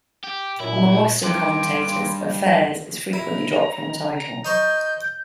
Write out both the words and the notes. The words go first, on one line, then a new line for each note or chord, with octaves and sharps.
Among Western commentators, "Affairs" is frequently dropped from the title.
G4
F#2 A#2 E4
G2 C6 D6
E4 A#5
A#5
D#4 C5 C#6 G6